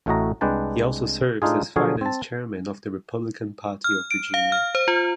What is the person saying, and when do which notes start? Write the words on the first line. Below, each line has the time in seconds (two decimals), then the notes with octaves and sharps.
He also serves as finance chairman of the Republican Party of Virginia.
0.06 A1 A2 A3 F#4 D#5 A#5
0.41 C2 G#3 D4 B4 G5 A5
1.42 A2 D4 D#4 F4 G#4
1.76 D3 F3 F#3 G#4 C#5 F5
2.01 C4 A5
3.84 F6
4.11 D7
4.34 F5
4.52 F6
4.75 C5
4.88 F4